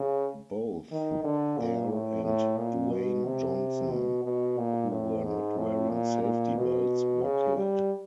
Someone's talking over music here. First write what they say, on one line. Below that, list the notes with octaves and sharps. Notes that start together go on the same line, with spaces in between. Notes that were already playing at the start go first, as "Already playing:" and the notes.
Both Darr and Duane Johnson, who were not wearing safety belts, were killed.
Already playing: C#3
D#3
D3
A#2
A2
A2
A#2
B2
C3
B2
B2
A#2
A2
G#2
A2
A#2
A#2
B2
C#3
G3